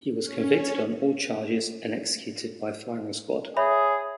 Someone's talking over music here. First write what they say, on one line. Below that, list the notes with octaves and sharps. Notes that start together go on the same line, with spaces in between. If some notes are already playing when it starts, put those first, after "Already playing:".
He was convicted on all charges and executed by firing squad.
C#4
G#4 C#5 E5 B5